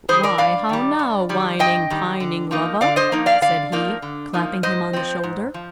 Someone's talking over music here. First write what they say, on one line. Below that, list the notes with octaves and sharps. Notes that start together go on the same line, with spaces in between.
"Why how now, whining, pining lover?" said he, clapping him on the shoulder.
D#3 G3 G#4 C5
A#4 D5
G2 D5 F5
D#3 G3
G2
D#3 G3
G2 D#5 G5
D#3 G3
D3
F3 A#3 D#4
D3 D5 F5
C5 D#5
F3 A#3 D#4
D5 F5
D3 D5 F5
F3 A#3 D#4
D3
F3 A#3 D#4
G#2 C5 D#5
F3 C4
G#2
F3